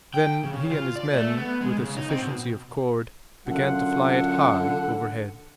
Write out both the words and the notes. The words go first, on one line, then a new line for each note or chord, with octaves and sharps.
Then he and his men, with a sufficiency of cord, began to fly it high overhead.
G5
C#3
F4
D5
A3
B3
G#3
C#3
D#4
C4
B2
F#2 D3 F4 F#5